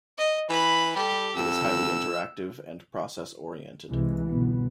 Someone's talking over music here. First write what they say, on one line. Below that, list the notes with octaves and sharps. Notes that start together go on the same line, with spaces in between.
It is highly interactive and process-oriented.
D#5
E3 B4 B5
G3 G4 A4
F2 E6
C2 C3 E3 G#3
G1 B2 B3